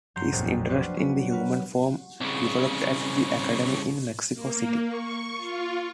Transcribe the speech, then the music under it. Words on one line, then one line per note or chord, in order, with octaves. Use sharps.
His interest in the human form developed at the Academy in Mexico City.
G2 F#3 A#5 C6 G6
A#1 F2 A#2
D4 F4 F#4 B4 C5 D5
F#3 B4
F#4 A#4 B4
C2 C#3
A#3
C#6
F4